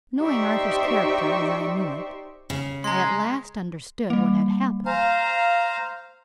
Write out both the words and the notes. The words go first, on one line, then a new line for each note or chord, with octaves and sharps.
Knowing Arthur's character as I knew it, I at last understood what had happened.
D#4 G4 C5 D5 E5 C#6
C#3
G#3 A#5 C6
G3 A#3
C5 F5 G#5 A#5